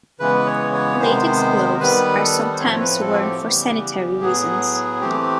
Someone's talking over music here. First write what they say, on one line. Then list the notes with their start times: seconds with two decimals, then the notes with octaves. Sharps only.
Latex gloves are sometimes worn for sanitary reasons.
0.19 C#3 E3 G#3 B3 B4
0.46 C#5
0.73 C#5
1.00 C3 D#3 G#3 B3 C5
1.75 A#4
1.80 D#3 G3 B3 B4
2.20 A4
2.54 C5
2.60 A2 F3 A3 C4 C#5
2.80 B4
3.01 A4
3.13 F#4
3.20 G4
3.41 C#3 E3 G3 B3
4.21 A2 F#3 B3 G#4
5.01 E3 A3 C4 G4